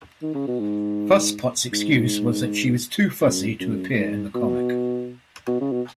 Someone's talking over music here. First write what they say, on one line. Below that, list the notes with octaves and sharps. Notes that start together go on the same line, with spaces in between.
Fuss Pot's excuse was that she was too fussy to appear in the comic.
D#3
C#3
B2
G#2
G#2
F#2
F#2
G#2
B2
B2
C#3
B2